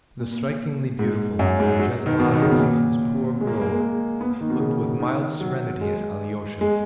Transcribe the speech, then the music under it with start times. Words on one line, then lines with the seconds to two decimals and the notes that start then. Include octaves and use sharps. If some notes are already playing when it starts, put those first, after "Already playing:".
The strikingly beautiful and gentle eyes of this poor girl looked with mild serenity at Alyosha.
0.19 A#2
0.99 G#2
1.39 F#2
1.60 G#2
1.79 F#3
2.06 D#3
2.20 B2
2.34 D#3
2.42 C#3
2.51 B2
2.60 A#2
3.40 G#3
3.47 A#3
3.55 G#3
3.61 A#3
3.69 G#3
3.80 A#3
4.21 B3
4.30 A#3
4.41 D#3
4.50 B2
4.60 C#3
5.00 D#3
5.41 F#3
5.81 G#3
6.61 G#3